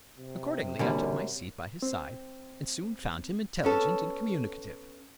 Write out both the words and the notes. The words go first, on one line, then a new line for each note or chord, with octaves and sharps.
Accordingly I took my seat by his side, and soon found him intelligent and communicative.
C3
F#2 A#2 D3 G3
C4
B3 C#4 A4